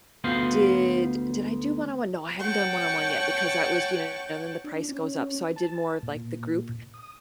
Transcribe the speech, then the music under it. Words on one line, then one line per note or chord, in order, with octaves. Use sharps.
did Did I do one-on-one? No, I haven't done one-on-one yet, because that was, you know, then the price goes up, so I did more of, like, the group,
D2 B3 C5 F5
C#5 F#5 G5 A5 C#6
D4
C#4
A5
A#2
D#6